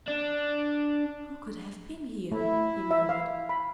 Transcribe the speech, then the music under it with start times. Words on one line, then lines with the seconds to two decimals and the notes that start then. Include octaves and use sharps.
"Who could have been here?" he murmured.
0.08 D4
2.32 A3 E4
2.91 E5
3.09 F5
3.49 B5